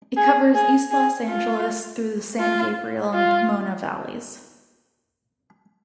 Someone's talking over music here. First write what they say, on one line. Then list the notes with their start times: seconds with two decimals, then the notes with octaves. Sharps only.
It covers East Los Angeles through the San Gabriel and Pomona valleys.
0.17 G#4
0.54 G#4
0.91 G#4
1.28 F4
2.39 F4
3.14 F4